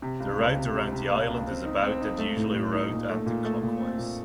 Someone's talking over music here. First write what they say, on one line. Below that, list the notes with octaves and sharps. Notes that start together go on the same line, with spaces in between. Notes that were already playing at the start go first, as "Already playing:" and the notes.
The route around the island is about and usually rowed anticlockwise.
C3
C#2
C#2
C3
C3
C3
A#3
C#2
C4
D#4
C4
D#4
A3
A2
A2
D#4
A#2
A3
A#2
A3
A#2
C4
A#2